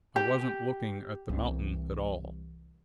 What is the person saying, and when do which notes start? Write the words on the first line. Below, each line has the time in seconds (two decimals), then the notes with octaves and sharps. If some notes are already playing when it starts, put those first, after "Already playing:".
I wasn't looking at the mountain at all.
0.16 G4
1.29 C2 E3